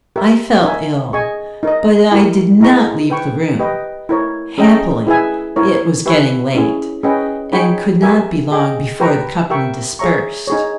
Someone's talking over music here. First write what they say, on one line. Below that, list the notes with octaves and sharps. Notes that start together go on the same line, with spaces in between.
I felt ill; but I did not leave the room: happily, it was getting late, and could not be long before the company dispersed.
G4 A#4 E5
D#4 A#4 E5 G#5
G#4 D#5 G#5 C#6
D#4 A#4 D#5
E4 G4 A#4
E4 G#4 D#5 A#5 C#6
B4 G5 C#6
G4 B4 D#5 G5
E4 A#4 C#5
C#4 G#4 D#5 G5 A#5
E4 G#4 B4 E5 G#5
E4 A#4 C#5
G4 B4 E5 G#5 C#6
C#4 E4 G#4
C#4 G#4 B4 D#5 G5
D#4 G#4 C#5 G5 B5
G4 A#4 E5 G#5
G#4 D#5 G5
G4 B4 G5 A#5 C#6
G4 A#4 E5 G5 C#6
G#4 C#5 E5 A#5 C#6
D#4 G#4 C#5